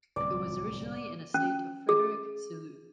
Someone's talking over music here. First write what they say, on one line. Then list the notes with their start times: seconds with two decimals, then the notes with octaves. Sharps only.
It was originally an estate of Frederick Selous.
0.16 D1 C2 D5
1.34 C#4
1.89 G#4